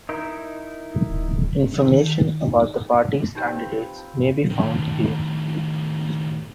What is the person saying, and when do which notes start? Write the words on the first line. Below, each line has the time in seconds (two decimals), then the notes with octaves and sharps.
Information about the party's candidates may be found here.
0.09 D#4 E4 A#4
1.09 D1
1.82 D#3
2.42 D#4
3.35 C4 D#4 F4 G4 B4 G6
4.50 A2 D#3